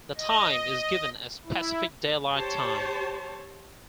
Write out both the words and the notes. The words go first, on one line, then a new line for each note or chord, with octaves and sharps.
The time is given as Pacific Daylight Time.
D#5
E4
G4 C5 C#5 A5